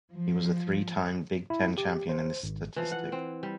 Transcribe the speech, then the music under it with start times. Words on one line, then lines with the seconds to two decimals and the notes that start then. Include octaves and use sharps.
He was a three-time Big Ten champion in this statistic.
0.13 F3
1.50 E4
1.78 G4
2.09 C5
2.43 G#1
2.76 E3 F3
2.91 F#5
3.12 C4
3.43 G3